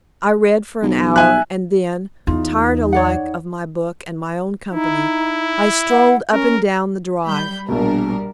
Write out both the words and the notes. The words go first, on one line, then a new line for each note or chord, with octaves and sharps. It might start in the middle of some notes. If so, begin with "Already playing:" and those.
I read for an hour, and then, tired alike of my book and my own company, I strolled up and down the drive.
B1
E5 G#5 F#6
E2 D#4 F4
C#5 D5 F#5
D#4 E4
F#5
C#4 A#4
G3 B5 G6
A#1 B2 G3 D4 A#4